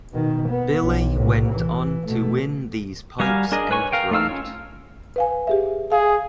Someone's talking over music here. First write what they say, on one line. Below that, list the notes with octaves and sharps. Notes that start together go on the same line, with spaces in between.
Billy went on to win these pipes outright.
B2 D#3
B3
B1
C2 A2
E3
B2 A3
G3 F#4 A#4 F5 G#5
D4 G#4 A#4 D#5
B4 C#5 G#5 C#6
A#4 F5 G5
A3 D#4 F5 E6 F6
C#4 F4 C#5
B4 F5 G#5
G4 G#4 E5
G#4 F5